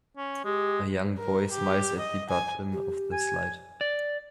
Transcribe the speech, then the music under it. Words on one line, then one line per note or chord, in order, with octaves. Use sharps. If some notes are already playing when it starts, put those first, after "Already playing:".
A young boy smiles at the bottom of the slide.
C#4
G#3 G4
A#4
G4
D#5
G#5
G4
G#5
D5